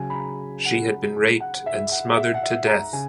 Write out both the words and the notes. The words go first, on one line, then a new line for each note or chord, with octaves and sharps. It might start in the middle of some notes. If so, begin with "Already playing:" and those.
She had been raped and smothered to death.
Already playing: C#3 F#3 G#5
B5
A#5
F#5
F#5
E5
F#5
E5
F#5
E5
A#5
C#3 G#5